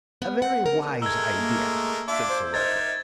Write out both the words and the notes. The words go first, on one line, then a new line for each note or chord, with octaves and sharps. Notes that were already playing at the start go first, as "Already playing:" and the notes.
"A very wise idea," said Sir Walter.
B3
F#5
A#4
G#3 A3 A#4 E6 G#6
A#3
D4 F4 E5 D6
C5
D#4 A#4 E5 G#6 A6